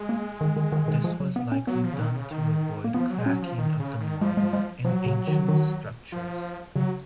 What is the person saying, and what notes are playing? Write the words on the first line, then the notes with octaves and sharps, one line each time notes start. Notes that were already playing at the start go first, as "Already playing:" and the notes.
This was likely done to avoid cracking of the marble in ancient structures.
Already playing: G#3
A#3
D#3
D#3
D#3
D#3
F3
F#3
B3
C#4
F#3 B3
F3
C#3
D#3
C#3
D#3
A#3
F3 B3
F#3
G#3
F#3 C#4
F3
D#3
C#3
D#3
F3 G#3
G#3
G#3
F3 F#3
C#3
D#3
D#3
F3
C#3 F#3